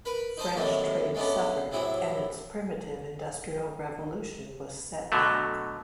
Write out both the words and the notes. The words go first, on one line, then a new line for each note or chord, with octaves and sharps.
French trade suffered, and its primitive industrial revolution was set back.
A#4 B4 B5
D#4 C5 D#5 A5 A#5
D#2 A2 C3 F#3 G#3 A3
G#3 A3 B3 C#4 D4
A2 C3 F#3 E4 G#4
B2 D3 F#3 A3